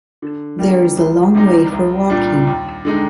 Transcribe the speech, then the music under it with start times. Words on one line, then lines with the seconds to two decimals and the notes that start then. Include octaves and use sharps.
There is a long way for walking.
0.22 D3
0.59 G3 A#3 F4
0.97 C2
1.35 C3 G3 C4 D#4
1.72 C2
2.10 A#2 G3 D4
2.47 D#2
2.85 D3 G#3 D#4